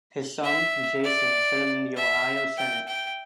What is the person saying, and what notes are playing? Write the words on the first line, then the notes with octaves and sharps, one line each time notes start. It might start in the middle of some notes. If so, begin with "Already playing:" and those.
His son, Jason, served in the Ohio Senate.
E5
D5
E5
G5
G5